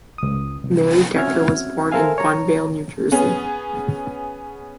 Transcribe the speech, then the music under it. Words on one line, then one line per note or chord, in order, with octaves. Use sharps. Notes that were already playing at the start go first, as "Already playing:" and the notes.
Mary Decker was born in Bunnvale, New Jersey.
C#2 D#6
C2
C4 C#4 F#4 E5 F6 G#6
A4 A#4 C5 E5 F5 G#5
C#5 A#5
B3 C#4 G#4